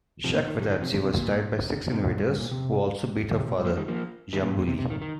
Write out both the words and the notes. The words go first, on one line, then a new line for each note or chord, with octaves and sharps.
Chakvetadze was tied by six invaders who also beat her father, Djambuli.
C3 F3
A#2
D#3
D#3 G3
D#3
C3 F3
D#3
C3
A#2
D#3
C3
G2
A#2
G2
G2
A#2
C3
D#3
C3
A#2
G2
F3 A#3
D#3 G3
F3 A#3
D#3 G3
A#2
G2
A#2
C3
C3
D#3
D#3